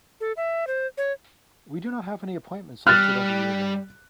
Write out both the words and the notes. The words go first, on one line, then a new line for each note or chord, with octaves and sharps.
We do not have any appointments listed under your name.
A4
E5
C5
C#5
G3 F6 F#6 A6